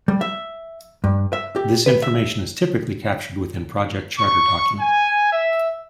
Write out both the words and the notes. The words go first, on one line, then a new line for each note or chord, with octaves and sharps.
This information is typically captured within project charter document.
G3
E5
G2
E5
G4
B4
E5
C#6
G#5
E5